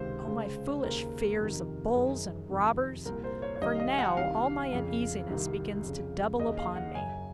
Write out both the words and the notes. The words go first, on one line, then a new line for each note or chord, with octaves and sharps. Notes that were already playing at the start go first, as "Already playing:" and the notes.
O my foolish fears of bulls and robbers!--For now all my uneasiness begins to double upon me.
Already playing: C#2 C3 D#3 C5
C#2 C#3
D#2 C#3 A#4
F2 C3 D#3
F#2 D#3 G#4
F2 C3 D#3
C2 A#2 A#4
C5
C#5
C#5
C2 C3 D#3 D#5
F5
D#5
G#5
F#5
C2 C3 D#3 F5
F2 C#3
C2 C3 D#3
F2
C#3
D#2 C#3 D#5
F5
F#5
F#2 C#3 G#5